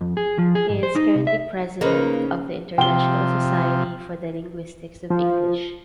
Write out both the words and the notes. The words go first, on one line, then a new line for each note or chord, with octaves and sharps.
He is currently President of the International Society for the Linguistics of English.
F2
G#4
F3
G#4
G#2
C5
D#4
C2
E5
C#3 A#3 D#4 G#4 B4 C5
C3 F3 G5 G7
F3